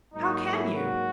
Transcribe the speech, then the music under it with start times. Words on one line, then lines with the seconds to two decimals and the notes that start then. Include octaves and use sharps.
How can you?
0.13 G#2 F#3 A#3 D#4
0.45 E4
0.75 F#4